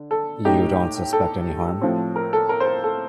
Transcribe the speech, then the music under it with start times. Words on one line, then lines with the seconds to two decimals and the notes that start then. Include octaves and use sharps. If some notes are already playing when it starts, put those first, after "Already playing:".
You don't suspect any harm?
Already playing: D3
0.11 A4
0.45 A2 A3 D#4 G4
1.13 A4
1.81 A2 F3 C4
2.16 A#4
2.33 A4
2.49 A#4
2.60 C5
2.66 A#4
2.84 A4